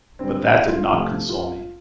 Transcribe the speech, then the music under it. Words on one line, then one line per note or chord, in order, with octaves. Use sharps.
But that did not console me.
D3 G3 C4
E4
F4
C3 F3 A3 G4
F4